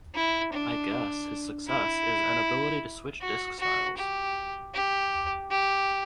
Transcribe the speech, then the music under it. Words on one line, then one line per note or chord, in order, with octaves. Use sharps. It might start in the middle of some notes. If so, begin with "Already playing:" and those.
I guess his success is an ability to switch disc styles.
E4
D4
E4
F#4
F#4
G4
G4
G4